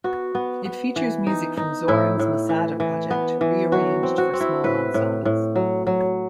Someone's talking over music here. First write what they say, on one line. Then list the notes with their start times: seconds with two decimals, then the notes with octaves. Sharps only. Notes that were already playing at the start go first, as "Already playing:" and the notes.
It features music from Zorn's "Masada" project, rearranged for small ensembles.
0.04 B3 F#4
0.35 B3
0.65 B3
0.96 E3
1.27 D#4
1.57 D#4
1.88 A2 E4
2.19 A2
2.49 E3
2.80 E3
3.11 B3
3.41 E3
3.72 F#3 F#4
4.03 C4
4.18 F#4
4.33 C4
4.40 E4
4.64 A2 B4
4.94 A2
5.25 A2
5.56 F#3
5.87 F#3